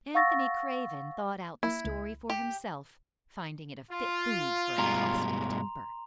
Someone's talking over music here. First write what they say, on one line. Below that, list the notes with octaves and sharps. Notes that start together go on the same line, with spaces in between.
Anthony Craven thought out the story for himself, finding it a fit food for a caustic temper.
F5 F#5 C#6 E6 A6 A#6
A#3 E4
C#2
G4
F4
G2 B2 G#3 A#5 C6 F7